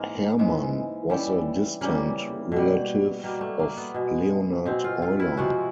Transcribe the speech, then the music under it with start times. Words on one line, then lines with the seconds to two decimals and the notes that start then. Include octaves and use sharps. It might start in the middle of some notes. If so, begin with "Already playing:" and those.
Hermann was a distant relative of Leonhard Euler.
Already playing: G#2 E3 G#3 A#3
0.38 G#2 E3 G#3
1.10 C#3 E3 G3
1.81 C#3 E3 G3 A#3
2.52 B2 G3
3.23 B2 G3 A#3
3.41 A3
3.59 A#3
3.77 B3
3.94 B2 G#3
4.66 B2 G#3 C4
4.84 F4
5.02 F4
5.20 E4
5.37 C3 F3 G#3 F#4